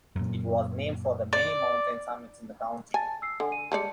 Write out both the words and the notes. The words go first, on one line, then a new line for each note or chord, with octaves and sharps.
It was named for the many mountain summits in the county.
F#2 A#2
D5
G#5 A5 A6
E6 C7
D3 A4 F#5 G#5
D#7
G3 G#3 D5 A5 C#7